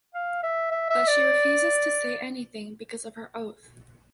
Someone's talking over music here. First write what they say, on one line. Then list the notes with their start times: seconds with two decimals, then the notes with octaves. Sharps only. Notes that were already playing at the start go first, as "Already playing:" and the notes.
But she refuses to say anything because of her oath.
0.14 F5
0.43 E5
0.71 E5
0.90 E5
1.08 D5